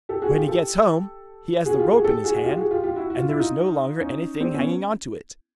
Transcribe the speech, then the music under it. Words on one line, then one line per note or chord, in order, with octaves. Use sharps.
When he gets home, he has the rope in his hand, and there is no longer anything hanging on to it.
G4 A4
F#4 G#4
F4 G4
G4 A4
F#4 G#4
F4 G4
F#4 G#4
G4 A4
F#4 G#4
F#4
F4 G4
F#4 G#4
F4 G4
F4 G4
E4 F#4
F#4
F4
E4
D#4 F4
C#4 D#4
C4 D4
B3 C#4